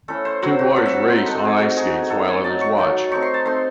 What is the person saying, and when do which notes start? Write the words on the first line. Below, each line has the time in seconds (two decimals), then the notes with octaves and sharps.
Two boys race on ice skates while others watch.
0.08 A3 C#4 E4 A4
0.25 C5
0.42 F#3 C4 E4 F#4
0.59 F#4
0.76 F#3 C4 E4 A4
0.86 E5
0.93 F#5
1.10 A3 C4 D#4 C5
1.27 A4
1.43 A3 C4 D#4 G#4
1.60 F#4
1.76 A3 D#4 G#4
2.10 A3 D#4 A4
2.28 G#5
2.44 F#3 A3 D#4 A5
2.61 C#6
2.78 F#3 A3 D#4
3.12 A3 C4 D#4 C#6
3.22 C6
3.34 A5
3.45 A3 C4 D#4 C6